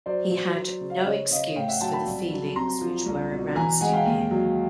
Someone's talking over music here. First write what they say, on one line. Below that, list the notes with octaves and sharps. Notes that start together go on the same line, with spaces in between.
He had no excuse for the feelings which were aroused in him.
F#3 C5 D5
F#3
F#3
C#3
F5
E5
C#3 C#5 D#5
C#3 D#5 F5
A2 F5 G5
E5 F#5
F#3 G5 A5
A5 B5
C2
F#3
C3 A#5 C6
F3
C2
B2
E3 G#5 A#5
G#3 F#5 G#5
F5 G5
D#2
F#3